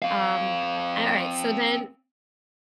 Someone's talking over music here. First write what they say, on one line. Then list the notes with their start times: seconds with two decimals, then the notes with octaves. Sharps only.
Um, an all right, so then
0.02 C4 F5